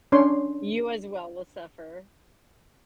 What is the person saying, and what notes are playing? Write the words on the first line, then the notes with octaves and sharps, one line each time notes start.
You as well will suffer.
C#4 D4 C#5 C6